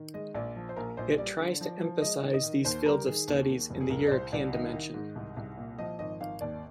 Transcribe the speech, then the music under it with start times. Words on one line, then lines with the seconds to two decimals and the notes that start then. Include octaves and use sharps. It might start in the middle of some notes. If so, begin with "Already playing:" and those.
It tries to emphasize these fields of studies in the European dimension.
Already playing: D#3
0.14 G#3 D#5
0.35 A#1 D5
0.56 F3
0.69 C5
0.76 A#1 A#4
0.97 A#1 C5
1.18 G3 D5
1.39 D3
1.61 F3
1.82 F3
2.02 G#3 D#5
2.23 D#3
2.34 D#5
2.44 D#3
2.65 D#2 C5
2.86 G3 A#4
3.06 D#3 G#4
3.28 D#2
3.49 D#2
3.70 F1
3.81 G#4
3.90 C2 A#4
4.07 D5
4.11 C2 C5
4.32 C2 D5
4.53 D#3 D#5
4.73 D#3
4.94 G#2
5.16 C2
5.37 C2
5.57 A#2
5.79 F3 D#5
5.99 G#1 D#5
6.21 G#1 F5
6.41 D#2 D5